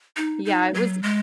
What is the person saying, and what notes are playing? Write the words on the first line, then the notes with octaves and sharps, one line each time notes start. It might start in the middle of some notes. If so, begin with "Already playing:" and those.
Yeah, it was
D#4
D#4
F#3
G#3